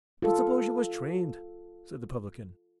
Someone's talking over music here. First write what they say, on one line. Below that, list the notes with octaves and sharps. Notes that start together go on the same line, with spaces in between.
"But suppose you was trained?" said the publican.
F4 A4